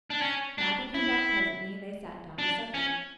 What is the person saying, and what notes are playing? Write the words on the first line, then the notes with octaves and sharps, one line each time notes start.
Matthew came back presently and they sat down to supper.
D4
C#4
D4
E4
D4
C#4